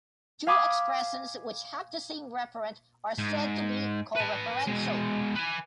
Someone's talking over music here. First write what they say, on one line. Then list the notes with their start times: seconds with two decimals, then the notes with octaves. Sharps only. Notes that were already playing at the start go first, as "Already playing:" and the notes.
Two expressions which have the same referent are said to be co-referential.
0.47 F5 G#5 B5 D6 D#6
3.18 G#2
4.16 B4 A5
4.67 B2 G#3
5.35 B4 G#5